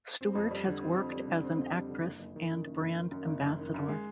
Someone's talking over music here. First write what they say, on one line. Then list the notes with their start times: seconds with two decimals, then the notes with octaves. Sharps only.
Stewart has worked as an actress and brand ambassador.
0.21 C4
0.35 F2
0.51 G3
0.67 D3
0.82 C4
0.97 F2
1.12 G3
1.27 D3
1.44 C4
1.59 F2
1.73 G3
1.90 D3
2.04 F#1
2.19 F#1
2.36 D#3
2.51 F#2
2.67 F#1
2.81 F#1
2.96 D#3
3.11 F#2
3.27 F#1
3.42 F#1
3.59 D#3
3.74 F#2
3.89 G#3